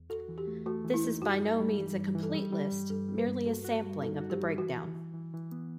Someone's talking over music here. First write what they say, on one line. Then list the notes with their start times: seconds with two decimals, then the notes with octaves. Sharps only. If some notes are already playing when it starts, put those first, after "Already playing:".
This is by no means a complete list, merely a sampling of the breakdown.
Already playing: E2
0.10 F#4 A4
0.29 E3
0.38 G4
0.47 A3
0.66 A3 F#4
0.84 E3
0.94 E4
1.04 D#4
1.22 G2 F#4
1.40 G3
1.60 G3
1.79 E3
1.97 G2
2.15 E3
2.23 A4
2.34 G3 G4
2.53 G3
2.72 G2
2.90 G2 A4
3.08 G3
3.18 B4
3.28 G2
3.46 F#4 A4
3.65 F#4
3.84 G3
4.02 D#4 A4
4.21 F#4
4.30 G4
4.40 G3
4.58 E3 F#4
4.77 E3
4.95 E3
5.14 E3
5.33 E3
5.52 B3